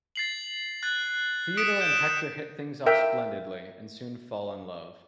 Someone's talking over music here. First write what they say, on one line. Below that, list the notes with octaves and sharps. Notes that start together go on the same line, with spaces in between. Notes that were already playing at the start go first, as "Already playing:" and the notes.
Theodora and Hector hit things off splendidly, and soon fall in love.
A6 C7 F#7
F#6 G#6 A6
D#6 B6 C#7 D7 E7
G6 E7 G7
A#4 E5 G5